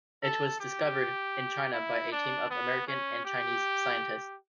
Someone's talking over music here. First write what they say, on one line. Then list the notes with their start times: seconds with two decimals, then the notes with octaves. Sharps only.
It was discovered in China by a team of American and Chinese scientists.
0.23 A4
0.60 G4
1.73 E4
2.12 D4
2.50 B3
2.88 C#4
3.25 G4